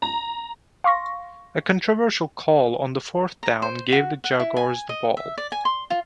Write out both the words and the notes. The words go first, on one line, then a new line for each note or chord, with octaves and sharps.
A controversial call on fourth down gave the Jaguars the ball.
A#5
F5 C6 C#6 A#6
A#5
C5
F#4
F#5
E4
G#5
D#5
E5
D5
G#5
C6
F4